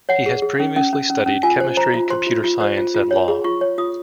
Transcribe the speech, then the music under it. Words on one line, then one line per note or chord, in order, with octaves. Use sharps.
He has previously studied Chemistry, Computer Science and Law.
C#5 F#5
G#4
G#4
C#4
C#4
C#4
C#4
C#4
F4 G#5
C5
C5 A#5
F4
C5 C6
F4
F4
C5
F4
F4
C#5
G#4
F4 C#6
C#5
F4 D#6